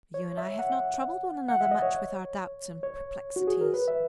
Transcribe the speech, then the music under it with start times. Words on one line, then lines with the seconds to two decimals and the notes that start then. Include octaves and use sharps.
"You and I have not troubled one another much with our doubts and perplexities."
0.14 C#5
0.38 E5
0.59 F#5
1.48 F#5
1.61 E5
1.71 D#5
1.82 C#5
2.83 C#5
3.36 F#4
3.47 G#4
3.61 A#4
3.74 B4
3.88 E5